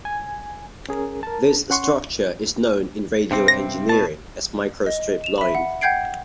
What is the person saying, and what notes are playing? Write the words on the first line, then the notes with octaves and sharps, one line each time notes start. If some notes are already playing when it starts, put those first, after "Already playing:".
This structure is known in radio engineering as microstrip line.
G#5
C#4 G#4 A#4
A#4 A5
C#4 F#5 C6 C#6
G2 C3 C4
A#6
B2 A5
D#5
E7 F7
E5 B5
F#5
F#5 G5 G6 G#6 C7 D7